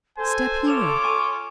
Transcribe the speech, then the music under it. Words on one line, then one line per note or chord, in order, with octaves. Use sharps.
Step here!
A4 C5 G#5
C#4 F4 C#5 C#6 D6 E7 F7
G#5 C#6